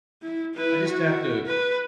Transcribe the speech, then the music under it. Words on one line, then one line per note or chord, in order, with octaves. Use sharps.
I just have to
E4
E4 B4
E4 F#4
B4